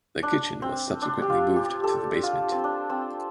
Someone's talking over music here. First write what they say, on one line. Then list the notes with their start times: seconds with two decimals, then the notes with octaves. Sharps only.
The kitchen was subsequently moved to the basement.
0.23 D4
0.62 C4
1.02 D4
1.22 G4
1.30 F4
1.56 G4
1.84 A4
2.23 F4
2.52 C4
2.64 D4
2.89 C4